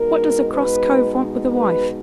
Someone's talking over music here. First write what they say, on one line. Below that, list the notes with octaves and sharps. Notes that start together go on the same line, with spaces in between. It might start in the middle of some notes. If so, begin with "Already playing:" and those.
What does a cross cove want with a wife?
Already playing: B2 G#3 D#4 A#4
B4
B4